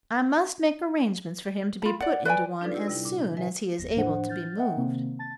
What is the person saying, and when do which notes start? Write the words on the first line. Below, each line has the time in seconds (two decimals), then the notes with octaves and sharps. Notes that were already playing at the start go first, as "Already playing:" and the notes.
"I must make arrangements for him to be put into one as soon as he is able to be moved."
1.82 F4 B5
2.00 D5 F#5
2.25 B4 D5 G5 G#5
2.61 D4 D#4 F4 A4 B4 D5
2.74 G4 E6
2.88 C3 G3 E4
3.05 A#2
3.24 D#3
3.37 B4 E5 G#5
3.79 G1 E2 A#6
3.96 A2 F3 D4 C5 F#5
4.29 F6 G6 A6
4.57 D#5 E5 F#5 G5
4.77 C3 D#3 A#3 C4
5.19 A5 A6